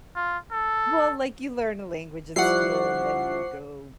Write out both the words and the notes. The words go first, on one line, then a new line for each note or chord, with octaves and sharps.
Well, like, you learn a language in school, and then you go
F4
A4
F3 G3 E4 C5 F#5 C#6 D6 C7